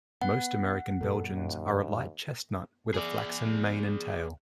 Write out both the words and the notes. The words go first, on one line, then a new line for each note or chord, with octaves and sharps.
Most American Belgians are a light chestnut with a flaxen mane and tail.
B3 F#5
F#2 A#2 A4
D#2
G#4 D5